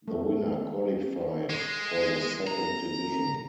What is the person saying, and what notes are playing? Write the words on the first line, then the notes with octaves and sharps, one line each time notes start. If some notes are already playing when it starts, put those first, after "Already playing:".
The winner qualified for the second division.
A3
G#3
A#5